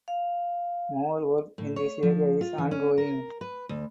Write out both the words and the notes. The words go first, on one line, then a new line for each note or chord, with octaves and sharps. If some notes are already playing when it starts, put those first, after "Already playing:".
More work in this area is ongoing.
F5
A2
C#5
F3
F4
E3
C#4
A#4
B4
D2